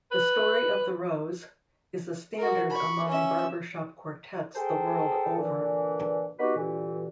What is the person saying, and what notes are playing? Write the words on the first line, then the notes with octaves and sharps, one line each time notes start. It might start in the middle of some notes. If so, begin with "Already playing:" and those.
"The Story of the Rose" is a standard among barbershop quartets the world over.
B4
F#4 A#4
B5 C#6
C#4 E5
G#4 A4 C5 G5 A5
A#2 D3 E3
B3 D#4 F#4 G4 B4
D2 G2 A#2 E3